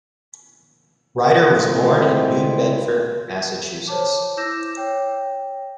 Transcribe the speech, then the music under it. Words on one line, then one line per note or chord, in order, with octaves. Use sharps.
Ryder was born in New Bedford, Massachusetts.
G#3 A3 C4 E4 F4
C5 C#5 A5 D6
E4 D6 E6 G6 A#6 E7
C#5 G5